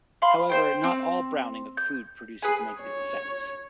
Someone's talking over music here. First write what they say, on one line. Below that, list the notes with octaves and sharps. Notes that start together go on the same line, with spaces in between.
However, not all browning of food produces negative effects.
F5 B5 C6
C5 G5
C4
G6
G#4 B4 G#5
C#5